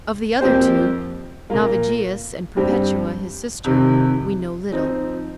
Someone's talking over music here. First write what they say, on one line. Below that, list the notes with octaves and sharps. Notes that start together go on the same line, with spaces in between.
Of the other two, Navigius and Perpetua his sister, we know little.
F2 F3 A#3 G4 C5
A#2 A#3 F4 A#4
G2 G3 C4 G4
F2 C3 D#3
F3 C4 D#4